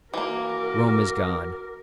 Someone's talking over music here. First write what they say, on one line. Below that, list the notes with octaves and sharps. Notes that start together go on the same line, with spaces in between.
Rome is gone.
E3 A#3 F#4 A#4 D6